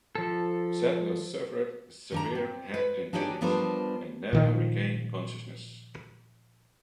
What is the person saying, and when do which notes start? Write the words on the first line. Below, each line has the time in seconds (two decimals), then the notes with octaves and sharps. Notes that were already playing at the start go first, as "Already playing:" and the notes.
Sadler suffered severe head injuries and never regained consciousness.
0.15 F3 A4
2.12 D#3 D4 A#5
2.35 C4
2.74 B4
3.13 D4 D#4 G4 G#4 C#5 D5
3.41 F3 G3 B3 D4 A#4 C5
4.33 A#2 D#3 F3